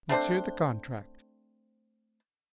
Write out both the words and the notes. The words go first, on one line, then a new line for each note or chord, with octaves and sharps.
"Let's hear the contract!"
A3 C4 D4 C5